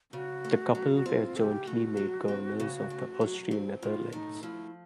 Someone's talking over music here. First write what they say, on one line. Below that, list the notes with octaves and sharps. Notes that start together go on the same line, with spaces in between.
The couple were jointly made Governors of the Austrian Netherlands.
C#3 F#4
A3
F#3
F#4
C4 F4
C#3 G4 A4
A3 F#4
F#3
C4
C#3
A3
F#3
C4
A2 F4
A3 D#4
F3 E4